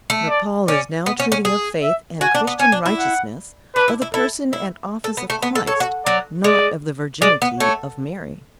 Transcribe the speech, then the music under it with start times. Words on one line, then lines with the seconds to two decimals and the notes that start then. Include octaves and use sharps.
But Paul is now treating of faith and Christian righteousness, of the person and office of Christ, not of the virginity of Mary.
0.10 A3
0.29 D5
0.68 C#4 D5
1.06 B3
1.20 C#4
1.32 C#4
1.45 G#4
1.83 E5
2.21 F#4 G#5
2.35 D4
2.47 B3
2.59 C#4 G#5
2.72 D4
2.86 E4
2.98 F#5
3.76 D4 B4
3.88 E4
4.02 E4
4.14 E4 A4
4.53 E4
5.04 A4
5.17 B3
5.30 A3
5.42 B3
5.55 A4
5.67 A4 C#5
5.80 F#4
6.06 F#3 D5
6.44 G#3 D5
7.22 G#3 D5
7.42 B3
7.60 A3 C#5